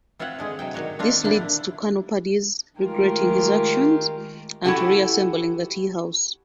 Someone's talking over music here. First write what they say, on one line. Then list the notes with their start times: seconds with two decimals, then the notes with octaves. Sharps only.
This leads to Colonel Purdy's regretting his actions and to reassembling the teahouse.
0.19 C4 F4 C#5 E5 F#5
0.39 D3 G#3 G#4
0.59 C3 F#3 G5
0.74 D#3 G3 F#4 C#5
0.99 C4 D4 F4 G4
1.23 D3 A#3 D4 E4
2.78 D#3 G#3 A3 F4 G4 A#4
4.64 E4 F#4 G4 A4 F#5 G#5